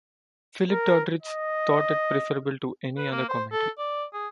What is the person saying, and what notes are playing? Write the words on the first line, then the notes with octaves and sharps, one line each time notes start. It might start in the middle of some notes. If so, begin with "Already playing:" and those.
Philip Doddridge thought it preferable to any other commentary.
A#4
D#5
B4
A#3
C5
A4
D5
G#4